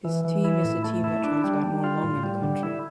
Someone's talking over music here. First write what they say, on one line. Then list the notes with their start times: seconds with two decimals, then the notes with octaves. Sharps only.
His team is the team that transplant more lung in the country.
0.05 E3
0.25 E3
0.45 E4
0.64 A2
0.84 A3
1.04 E4
1.24 D4
1.44 G3
1.64 G3
1.84 F4
2.03 A2
2.23 G3
2.43 D3
2.63 E4